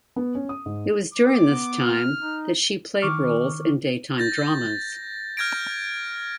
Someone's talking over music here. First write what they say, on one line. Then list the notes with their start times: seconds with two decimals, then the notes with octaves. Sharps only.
It was during this time that she played roles in daytime dramas.
0.16 B3
0.35 C#4
0.49 D#6
0.66 G#2
1.14 D6
1.45 B3
1.84 F6
2.19 D#4
3.02 D#3 C#6 D6 F6
4.18 G6 A6 A#6
5.37 F6 G6 G#6 A#6 D7